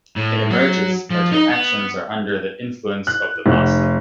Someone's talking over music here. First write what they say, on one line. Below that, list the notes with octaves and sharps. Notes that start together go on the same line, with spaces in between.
It emerges that her actions are under the influence of the Master.
A2
F#3 F#4
F3
D#4 D#5
B3
F#6
F1